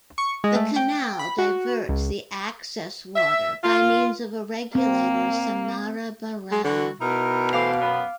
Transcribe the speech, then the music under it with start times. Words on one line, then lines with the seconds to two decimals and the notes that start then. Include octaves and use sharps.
The canal diverts the access water, by means of a regulator Samarra Barrage.
0.18 C#6
0.44 G#3
0.56 A3
0.76 G5
1.19 B5
1.38 F#4
1.89 C#2
3.16 E5
3.64 F4
4.75 A#3 C4
6.51 G#3
6.64 D3 E3 F#4
7.00 B2 D#4 E4 A#4
7.53 E3 A3 C5 F5 D6
7.80 F#2 B3